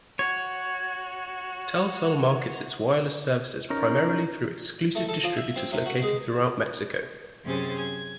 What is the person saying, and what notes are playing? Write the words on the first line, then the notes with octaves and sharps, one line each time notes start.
Telcel markets its wireless services primarily through exclusive distributors located throughout Mexico.
F#4 C#5
C#4 D#4 A#4
A3
A4
F3
E5
C4
C3
F#4
G#3
F#2 C3 C#4 G#4 C5 A6
G#6